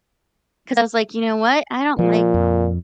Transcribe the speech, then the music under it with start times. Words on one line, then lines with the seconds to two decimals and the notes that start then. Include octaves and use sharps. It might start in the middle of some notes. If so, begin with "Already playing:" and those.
'cause I was like, "You know what, I don't like
1.99 A#2 F3
2.34 F2